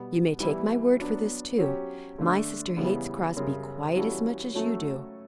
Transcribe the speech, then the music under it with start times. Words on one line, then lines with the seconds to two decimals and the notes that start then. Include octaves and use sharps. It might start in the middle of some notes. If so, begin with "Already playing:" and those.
You may take my word for this, too,--my sister hates Crosbie quite as much as you do.
Already playing: B2 G3 B3
0.40 E3 G3 B3 E4
1.00 F#3 B3 D4
1.58 F#3 C#4 G4
2.18 D3 A3 D4
2.77 C#3 E3 G3 B3
3.36 F#2 C#3 G3
3.95 E3 G3 C#4 F#4 A4
4.55 F#3 A3 C#4 F#4 A4